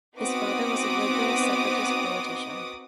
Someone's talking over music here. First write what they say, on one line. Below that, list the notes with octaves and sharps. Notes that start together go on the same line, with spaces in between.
His father was a liberal separatist politician.
B3 C4 D#4 F#4 D6 D#6